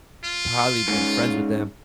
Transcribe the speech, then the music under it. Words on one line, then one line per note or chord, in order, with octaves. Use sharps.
probably been friends with them
F4
G#2 C#4